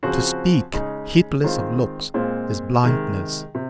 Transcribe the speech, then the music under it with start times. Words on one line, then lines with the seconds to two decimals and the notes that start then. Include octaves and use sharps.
To speak heedless of looks is blindness.
0.03 C#3 F3 C4 F#4
0.73 C#3 G#3 D#4
1.44 D#3 G#3 C4 F4
2.14 A#2 G#3 C4 F4
2.84 C3 D#3 G#3
3.55 C3